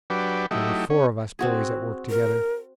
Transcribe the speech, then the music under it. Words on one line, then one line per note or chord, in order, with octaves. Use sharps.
There were four of us boys at work together.
F#3 D4 G4 B4
F#3 A3 D#4 E4 G4
C#4
C4 F#4 G#4
A#4